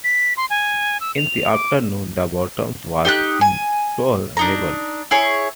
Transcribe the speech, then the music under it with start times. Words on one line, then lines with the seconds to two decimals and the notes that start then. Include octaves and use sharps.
In the afternoon the Bottoms was intolerable.
0.04 B6
0.37 C6
0.50 G#5
1.01 E6
1.17 F7
1.52 D6
3.05 D#4 G4 A5 F#6
3.41 G#5
4.37 D4 D#4 A#5
5.11 E4 G#4 C#5